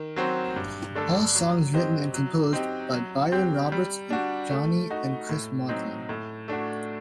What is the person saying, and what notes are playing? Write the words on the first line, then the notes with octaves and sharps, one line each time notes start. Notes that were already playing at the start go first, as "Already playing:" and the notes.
All songs written and composed by Byron Roberts and Jonny and Chris Maudling.
Already playing: D#3
F#3 C4 F#4 C5
G2
D3 A3 D4 A4
F#3
C4 G4 C5 D#5
F#3
C4 D#4 G4
F#3
C4 G4
G3
D4 F#4
A3
D#4 F#4
A2
F#3 C4 D#4
A2
A3 D4 F#4